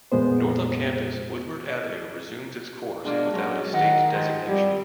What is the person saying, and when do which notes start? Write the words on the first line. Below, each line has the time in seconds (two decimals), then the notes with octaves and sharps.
North of campus, Woodward Avenue resumes its course without a state designation.
0.12 F2 A#2 G#3 B3 C5
3.05 B2 G#3 A#3 D4
3.34 F#3 G#3 C#4
3.74 D#3 D#5 F#5
4.15 G#2 F3
4.48 F2 G3